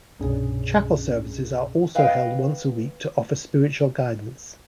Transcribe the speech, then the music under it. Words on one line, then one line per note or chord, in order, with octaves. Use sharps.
Chapel services are also held once a week to offer spiritual guidance.
C2 G2 B2 C#4 D4 G#4
B4 D#5 F5 G5